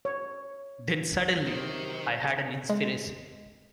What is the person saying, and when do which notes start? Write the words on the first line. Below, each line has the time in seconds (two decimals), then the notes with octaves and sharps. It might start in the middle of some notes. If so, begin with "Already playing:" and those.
Then suddenly I had an inspiration.
0.05 C#5
1.47 C3 D#3 F#3 G4 C5
2.70 G#3